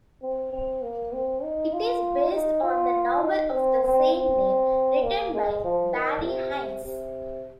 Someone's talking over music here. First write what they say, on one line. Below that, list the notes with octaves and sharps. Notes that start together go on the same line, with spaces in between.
It is based on the novel of the same name, written by Barry Hines.
C4
C4
A#3
C4
D#4
F4
D#4
F4
D#4
C4
C4
C4
A#3
G#3
F3
D#3
C3
C3
C3